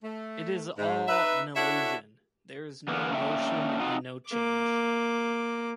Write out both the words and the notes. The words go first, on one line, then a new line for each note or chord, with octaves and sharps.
It is all an illusion: there is no motion and no change.
A3
G#2
D#4 B4 E5
D4 E4 F#4 A4 C#5 E5
E2 A#3 B3
A#3 C#4 D4 A4 E5 G5
C4 D#4 F4 F#4
A#3 D6